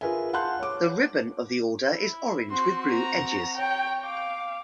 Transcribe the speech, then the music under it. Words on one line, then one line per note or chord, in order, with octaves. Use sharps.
The "ribbon" of the Order is orange with blue edges.
F4 G#4 A#4 B4 E5 G#5
F5 F#5 A5 C6 F#6 G6
C#5 D6
E4
C4 F#4 C6
A#5
C#5 G5
F5 D6